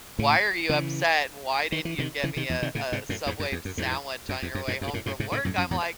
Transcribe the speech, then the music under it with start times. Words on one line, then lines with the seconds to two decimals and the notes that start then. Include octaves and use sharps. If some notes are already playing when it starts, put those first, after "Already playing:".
"Why are you upset? And why didn't you get me a a Subway sandwich on your way home from work?" I'm like,
0.19 A2 C#3
0.69 C#3 E3
1.72 D#3
1.85 E3
1.98 C3 D#3
2.23 C#3 E3
2.37 C3 D#3
2.49 E2
2.62 C3 D#3
2.75 A2 C#3
2.92 G#2 C3
3.09 F#2 A2
3.26 E2 G#2
3.39 F#2
3.52 E2
3.65 F#2
3.77 E2 G#2
4.29 F#2
4.42 E2
4.55 F#2
4.68 F#2 A2
4.81 F#2
4.87 G#2
4.93 F#2 A2
5.06 F#2 A2
5.20 G#2 C3
5.32 A2 C#3
5.45 F#2 A2
5.57 F#2
5.71 E2 G#2